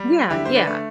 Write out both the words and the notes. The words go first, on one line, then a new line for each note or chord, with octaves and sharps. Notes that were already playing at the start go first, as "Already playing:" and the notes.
Yeah, yeah.
Already playing: G3
D3 E4 G4
C5
B4 D5
A3